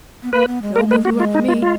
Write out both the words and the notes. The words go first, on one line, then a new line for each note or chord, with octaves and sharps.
No movie work for me!
B3
A#3 B4
B3
G#3
A#3 A#4
G#3 B4
F#4
G#3
F4
D#4
F4
F4